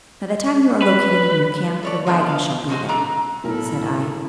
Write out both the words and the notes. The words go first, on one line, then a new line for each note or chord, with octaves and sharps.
"By the time you are located in your camp, your wagons shall be there," said I.
B4
A4 C#5 D5
F3 G#3 A3 B3 D4
F5
F3 F#3 G#3 F#4
D4 A4 A#5
B1 A2 E4 A4 A#4